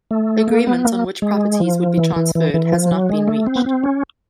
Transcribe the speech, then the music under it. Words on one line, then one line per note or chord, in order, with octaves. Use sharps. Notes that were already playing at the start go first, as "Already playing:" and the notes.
Agreement on which properties would be transferred has not been reached.
A3
A#3
B3
A#3
G#3
F3
E3
E3
E3
E3
F3
F#3
G#3
A3
C4
B3
C4
C#4